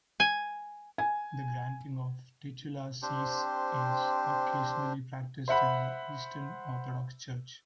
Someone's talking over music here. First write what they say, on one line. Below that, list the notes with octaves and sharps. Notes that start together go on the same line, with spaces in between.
The granting of titular sees is occasionally practised in the Eastern Orthodox Church.
G#5
G#5
C4 D4 G4 C5
C5 E5 F#5 B5